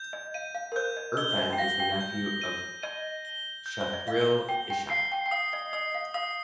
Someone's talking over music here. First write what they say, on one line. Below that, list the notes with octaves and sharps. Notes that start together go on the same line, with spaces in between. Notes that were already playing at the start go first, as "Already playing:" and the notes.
Irfan is the nephew of Shahril Ishak.
Already playing: G6
D#5
F5 D#7
F5
A#4
C5 G6
D#5
D#5 G7
C5
G5
F5 A#6
G5
G6
D#7
D#5 D#7
G7
G6
C5
D#5
F5 G7
G5 G7
G5
F5 C7
G5
G5
F5 D#6
D#5
D#5 D#6
F5
F5 D#6